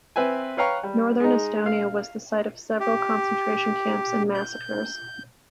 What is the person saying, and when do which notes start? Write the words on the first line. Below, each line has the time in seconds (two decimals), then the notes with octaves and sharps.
Northern Estonia was the site of several concentration camps and massacres.
0.16 C4 B4 E5 G#5
0.57 B4 C#5 F5 G5 A#5 C#6
0.83 G3
1.20 G#3 D#4
1.66 F5
2.80 G4
4.35 G6